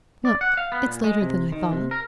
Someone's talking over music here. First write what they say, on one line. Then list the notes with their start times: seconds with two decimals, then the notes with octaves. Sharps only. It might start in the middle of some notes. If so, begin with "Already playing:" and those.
'Look! it's later than I thought.
0.25 D5
0.41 F#5
0.57 F5
0.72 B3
0.87 A#2
1.04 G#3
1.22 C3
1.52 D#3
1.72 C3
1.91 A#4